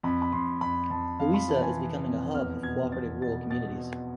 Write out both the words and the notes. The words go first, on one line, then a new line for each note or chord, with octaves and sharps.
Louisa is becoming a hub of cooperative rural communities.
F2 B5
B5
F2 C6
F2 B5
F2 A5
F2 F5
B5
E3 A5
G#5
E3
F2
E2 F6
B2 G#6
E2 A6
B2 A6
B2 A6